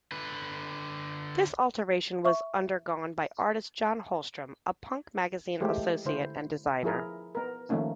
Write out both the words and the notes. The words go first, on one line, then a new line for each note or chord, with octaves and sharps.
This alteration was undergone by artist John Holmstrom, a "Punk" magazine associate and designer.
D3 B4
E5 C#6
E3 G#3 A3 G4 C5
D3 E4 C5
F3 E4 G#4 A#4
B3 A#4
D#3 F3 A3 A#3 C#4 D#4